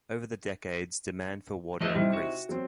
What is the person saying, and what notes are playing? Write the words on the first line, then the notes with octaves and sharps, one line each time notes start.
Over the decades, demand for water increased.
F3 A3 D#5
C3 G3 D#4 E4
F#4
F#3 C4